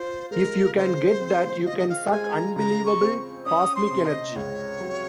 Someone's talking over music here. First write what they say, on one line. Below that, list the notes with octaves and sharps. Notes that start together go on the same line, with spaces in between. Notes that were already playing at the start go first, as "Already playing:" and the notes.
If you can get that you can suck unbelievable cosmic energy.
Already playing: F4 C5
G#3 A#4
C#3 C5
C4
F4 D#5
D#5
F5
F#5
G#3 G#5
A#5
C#3 A#5
C#6
C4
C#4 D#6
C6
C3
D#5
C#2 C#5
F#3